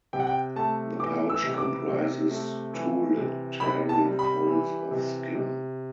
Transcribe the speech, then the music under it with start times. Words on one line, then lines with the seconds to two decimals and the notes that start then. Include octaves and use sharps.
The pouch comprises two lateral folds of skin.
0.13 C3 G5
0.20 F#5
0.27 G5
0.56 A3 A5
1.00 E3 D6
1.30 E6
1.43 C3
1.58 D6
1.87 C3
2.31 A3
2.74 E3
3.17 C3
3.60 C3 B5
3.89 A5
4.05 G3
4.19 B5
4.47 E3
4.91 C3
5.35 C3